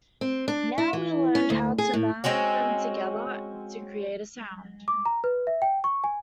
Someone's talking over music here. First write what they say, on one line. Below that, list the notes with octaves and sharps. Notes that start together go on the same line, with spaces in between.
Now we learned how to meld them together to create a sound.
C4
D4
E4
E3
C#4
D2
G#4
A2
G#3 C4 C#4 F#4
D6
A#5
B4
E5
G5
C#6
G#5